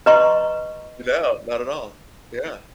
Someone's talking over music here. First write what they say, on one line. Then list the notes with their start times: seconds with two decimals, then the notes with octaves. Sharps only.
No. Not at all. Yeah.
0.06 B4 D#5 A#5 C6 C#6